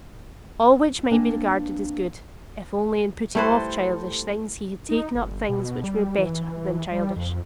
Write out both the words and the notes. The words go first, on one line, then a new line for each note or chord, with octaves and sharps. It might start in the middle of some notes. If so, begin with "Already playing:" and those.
All which might be regarded as good, if only in putting off childish things he had taken up things which were better than childish.
A#3 C4 D4 B4 D5 G#5
G3 A3 E4 A4 B4 C5
D#4
G1
B2
G3
E3
G3
F2